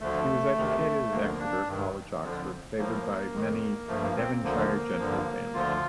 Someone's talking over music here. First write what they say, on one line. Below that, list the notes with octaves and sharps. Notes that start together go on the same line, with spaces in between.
He was educated at Exeter College, Oxford, favoured by many Devonshire gentry families.
D2 D3 F3 A3
D2 C3 D#3
D2 D3 F3 A#3
D4
G2 D#3
F2 D3 F3
A2 F3 A#3
F2 D#3
G2 F3 A3
A#3
C4
D2 D3 F3 A#3
G2 D3 F3
D2 D3 F3 F4